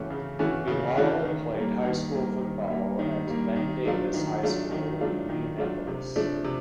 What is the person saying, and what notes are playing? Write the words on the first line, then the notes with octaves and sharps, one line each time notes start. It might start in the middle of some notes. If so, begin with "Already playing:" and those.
Bilal played high school football at Ben Davis High School in Indianapolis.
Already playing: C#3 E3 A3 C#4 F#4
C#3
E3 A3 C#4 F#4
C#3
E3 A3 C#4 F#4
D#3
G3 A#3
D#3
G3 A#3
D#3
G3 A#3
D#3
G3 A#3
D#3
F#3 A3 D4 F4
D#3
F#3 A3 D4 F4
D#3
F#3 A3 D4 F4
D#3
F#3 A3 D4 F4
C3
F3 A3 D4
C3